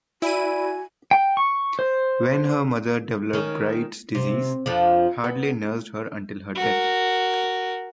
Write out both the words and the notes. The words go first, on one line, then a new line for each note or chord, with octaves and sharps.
When her mother developed Bright's Disease, Hadley nursed her until her death.
E4 F#4 D5 G#5 B5 D#7
G5
C#6
C5
D#3 C#4
C3
F2 F3 D4
B3
F#4 A#4